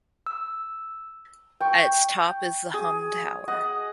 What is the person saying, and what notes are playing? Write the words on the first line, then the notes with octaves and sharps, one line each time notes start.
At its top is the Hum Tower.
E6
G5 C#6
G#4
D#5 F#5